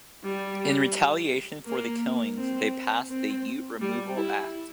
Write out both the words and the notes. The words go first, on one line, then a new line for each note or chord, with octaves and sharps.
In retaliation for the killings, they passed the Ute Removal Act.
G3
A#3
C4
C4
G3
E4